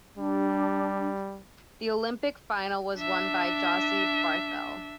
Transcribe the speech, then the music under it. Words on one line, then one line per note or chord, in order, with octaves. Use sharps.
The Olympic final was won by Josy Barthel.
G3 D4 G4
D4 E5